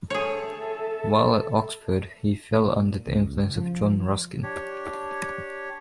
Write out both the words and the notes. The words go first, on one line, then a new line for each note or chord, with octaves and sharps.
While at Oxford, he fell under the influence of John Ruskin.
G#4 A4 C#5 E5
A#2
C#2
F3
D4 G4 C#5